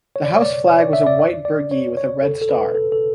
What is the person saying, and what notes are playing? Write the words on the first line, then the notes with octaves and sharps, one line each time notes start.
The house flag was a white burgee with a red star.
C#5
D5
C#5
D5
C#5
D5
E5
D5
D5
D5
C#5
C#5
A4
A4
B4
A4
A4